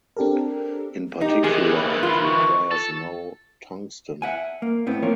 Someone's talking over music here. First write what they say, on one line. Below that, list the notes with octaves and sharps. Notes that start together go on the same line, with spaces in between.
In particular it requires no tungsten.
C4 D4 G4 A4 A#4
D#4 G4
D#3 E3 G#4
B5
F4
C#6
A4
E5 F#5 G#5
A#3
A2 B3 C4
F3 A#3 A#4 C#5